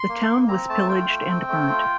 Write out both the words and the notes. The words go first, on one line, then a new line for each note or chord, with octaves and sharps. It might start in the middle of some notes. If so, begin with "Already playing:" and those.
The town was pillaged and burnt.
Already playing: C6
A#3
A#3
C4 A#5
A3 A5
F4 G5
A3
C4
A3
F4